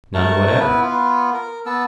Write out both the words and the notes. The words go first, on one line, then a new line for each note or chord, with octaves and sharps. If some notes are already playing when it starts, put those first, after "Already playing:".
None whatever.
A3 A#4 A5 C#6
B3 E4 B4
B3 F4
A#4
B3 A5 E6